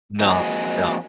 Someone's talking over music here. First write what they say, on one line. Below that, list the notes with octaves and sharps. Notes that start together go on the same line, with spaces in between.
No, no,
F2 G#3 A#3 F#4 D#5 G#5